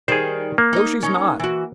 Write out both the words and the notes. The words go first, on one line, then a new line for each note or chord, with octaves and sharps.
"No, she's not."
D#3 G3 G#4 C5
A#3
D#4 D#5
C#4 D#4
E3 F#4